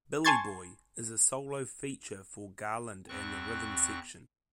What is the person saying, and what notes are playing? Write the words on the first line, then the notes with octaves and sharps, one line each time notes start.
"Billy Boy" is a solo feature for Garland and the rhythm section.
G#5 A5 C6 C#6 G#6 A6
E2 C4 C#6 F#6